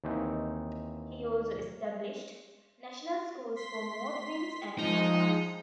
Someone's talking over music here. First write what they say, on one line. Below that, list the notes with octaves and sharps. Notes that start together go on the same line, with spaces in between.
He also established national schools for Mordvins and Tatars.
D#2 E3 C4 D#4
C6 B6
F3 G#3 D#4